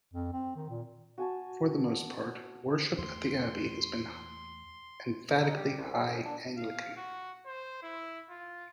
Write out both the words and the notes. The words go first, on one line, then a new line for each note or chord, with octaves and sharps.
For the most part, worship at the Abbey has been emphatically High Anglican.
F2
C4
D#3
A#2
F#4 G#5 A5
E2 A3 C6
D#4
G3
C2
C#3
A2
D4
F5
F#4
C5
E4
F4